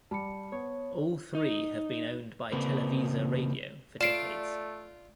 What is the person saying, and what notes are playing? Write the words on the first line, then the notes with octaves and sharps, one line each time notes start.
All three have been owned by Televisa Radio for decades.
G3 A5 B5 C#7
B3 C#5
D#4
C#3 A#3 C4 B4
A3 F4 D5 C7 D7 E7